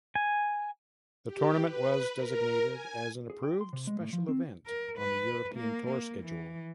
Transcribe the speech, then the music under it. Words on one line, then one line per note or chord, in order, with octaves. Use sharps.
The tournament was designated as an "Approved Special Event" on the European Tour schedule.
G#5
G4
B4
A#4
G#5
G#4
G5
C6
C3
G#3
A2
F3
C4
A#4
B4
A#3
A#3
E3